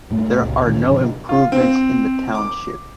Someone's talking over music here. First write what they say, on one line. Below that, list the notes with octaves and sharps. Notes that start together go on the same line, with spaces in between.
There are no improvements in the Township.
G#2 A3 A#3
F#1 C#2 A#2
D2 A#2 D#3 C#4
G#2 B2 D3 F3
F4
C4
D6